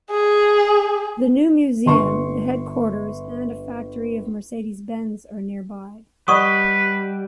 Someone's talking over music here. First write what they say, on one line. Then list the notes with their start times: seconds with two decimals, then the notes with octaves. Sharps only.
The new museum, the headquarters and a factory of Mercedes-Benz are nearby.
0.10 G#4
1.86 G1 C6 C#6
6.28 G3 B4 D5 D#5 F#5 B5 C#6 D#6